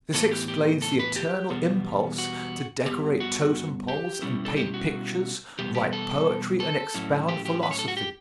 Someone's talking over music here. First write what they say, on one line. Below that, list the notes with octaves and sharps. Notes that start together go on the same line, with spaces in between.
This explains the eternal impulse to decorate totem poles and paint pictures, write poetry and expound philosophy.
A2 E3 B3 A4
G4
G4
A4
B4
G4
E2 B2 G3 B3
F#4
G2 E3 B3 G4
F#4
G4
B2 G3 C#4 E4
A4
G4
F#4
E2 B2 G3 B3 G4
G4
A4
A4
A2 F#3 C#4 E4
G4
G4
B4
C#5
A4
F#4
G4